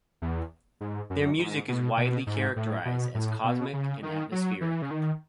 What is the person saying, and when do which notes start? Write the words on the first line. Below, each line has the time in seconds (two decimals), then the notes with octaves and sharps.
Their music is widely characterized as cosmic and atmospheric.
0.22 E2
0.81 G#2
1.10 F#2
1.39 G#2
1.68 B2
1.97 B2
2.27 G#2
2.56 A2
2.85 B2
3.15 A2
3.44 B2
3.73 C#3
4.03 D#3
4.32 F#3
4.61 E3
4.82 C#3
4.91 D#3